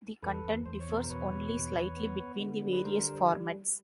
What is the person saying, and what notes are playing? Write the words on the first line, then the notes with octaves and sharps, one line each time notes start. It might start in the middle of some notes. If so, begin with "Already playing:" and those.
The content differs only slightly between the various formats.
E2 A4 B4
E2
E2 C5
C#5
B2
A#4 C5
E2 B4 C#5
B2
E2
E2
B3
B3
D3
G3
B4
D3 A#4 C5
G3